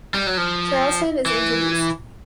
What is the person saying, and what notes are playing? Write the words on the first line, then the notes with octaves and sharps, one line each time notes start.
Charleston is introduced.
G3
F#3
F3
E3